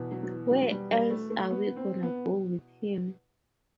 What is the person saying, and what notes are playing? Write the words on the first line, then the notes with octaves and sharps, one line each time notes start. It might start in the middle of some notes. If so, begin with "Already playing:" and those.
Where else are we gonna go with him?
Already playing: E2 B2
F#3
F#3
E3
F#3
F#3
G3
G3
A3
A3
B3
C4
B3